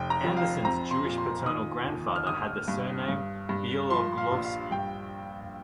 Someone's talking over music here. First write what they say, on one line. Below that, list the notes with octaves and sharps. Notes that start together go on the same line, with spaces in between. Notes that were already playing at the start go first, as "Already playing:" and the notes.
Anderson's Jewish paternal grandfather had the surname Bieloglovski.
Already playing: F1 G5
A#5
F2
F5
C4 A#5
C6
A#2
C6
D#3 D#6
D#2
F6
G1 D#6
G2
G2
G2
F3 C6
F5
A#1
F5
G2 G5